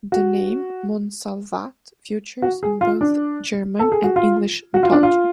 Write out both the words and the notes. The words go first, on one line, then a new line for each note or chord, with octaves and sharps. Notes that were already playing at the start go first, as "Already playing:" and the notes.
The name Montsalvat features in both German and English mythology.
F#4
F#4
G#4
F4
D4
A4
G#4
F#4
F4
F#4
F4
D4
F4